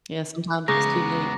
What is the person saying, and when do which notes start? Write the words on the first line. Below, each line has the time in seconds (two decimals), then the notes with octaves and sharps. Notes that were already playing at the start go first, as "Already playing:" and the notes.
Yeah, sometimes it's too late.
0.68 C#3 G#3 B3 A#5 C#6 D6 A#6